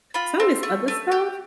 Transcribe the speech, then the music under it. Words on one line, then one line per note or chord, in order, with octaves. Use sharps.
some of this other stuff
F4 B5
C4
A3
A3
G4